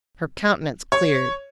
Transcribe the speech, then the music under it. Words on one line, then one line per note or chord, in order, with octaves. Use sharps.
Her countenance cleared.
C#5